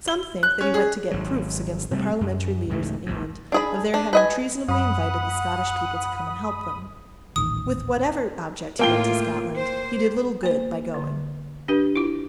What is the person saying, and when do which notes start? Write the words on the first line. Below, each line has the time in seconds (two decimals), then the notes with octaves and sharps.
Some think that he went to get proofs against the Parliamentary leaders in England of their having treasonably invited the Scottish people to come and help them. With whatever object he went to Scotland, he did little good by going.
0.08 G7
0.43 F#6
0.61 C#4
0.74 G#4
1.11 G#1 F#3
1.91 C3 G3 A3
2.21 F#2
2.69 C#2 G#2 E3 A3
3.06 G#1 D#2 G#2
3.52 D4 G#4 B5
3.94 D4
4.13 B4 D#5 G#5
4.69 F#2 F#5 B5 D#6
7.36 D#1 A1 D#3 D#6
8.79 A2 A#3 F4 G5 G7
9.56 C5
10.43 A#3 C5
10.94 D3
11.68 D4 G4 B4
11.96 E4 F4